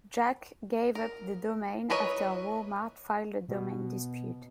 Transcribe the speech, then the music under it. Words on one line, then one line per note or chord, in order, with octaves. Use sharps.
Jacques gave up the domain after Walmart filed a domain dispute.
A#4
E4 A#4 B4 C#5 D#5
B2